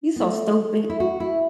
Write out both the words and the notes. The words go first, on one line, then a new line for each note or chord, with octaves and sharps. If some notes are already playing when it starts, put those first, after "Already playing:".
You so stupid.
B3
A3
E4
F#4
E4